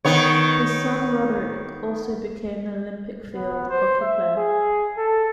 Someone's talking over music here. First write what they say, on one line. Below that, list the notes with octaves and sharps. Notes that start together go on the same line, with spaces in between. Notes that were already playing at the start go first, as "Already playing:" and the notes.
His son Roderik also became an Olympic field hockey player.
D#3 B3 C#5
B3
C5
E5
G#4
A4